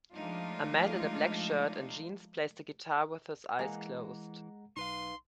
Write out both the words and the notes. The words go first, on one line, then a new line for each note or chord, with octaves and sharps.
A man in a black shirt and jeans plays the guitar with his eyes closed.
F3 G#3 A3 D4 D#4 F4
E3 G#3 A#3 G#4 F#5 A#5
B1 D#4 B4 F5 C6